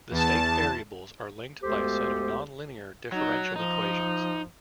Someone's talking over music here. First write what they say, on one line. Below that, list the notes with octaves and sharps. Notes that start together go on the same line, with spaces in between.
The state variables are linked by a set of nonlinear differential equations.
E2 A5
D2 G#3 B3 G4 A4 C5
F#3 D#4
F3 D#4